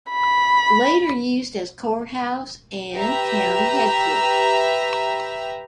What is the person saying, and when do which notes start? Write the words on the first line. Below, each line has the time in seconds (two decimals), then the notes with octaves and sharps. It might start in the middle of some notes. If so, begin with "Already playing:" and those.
Later used as court house and county headquarters.
0.11 B5
2.95 G4 B4 E5 A#5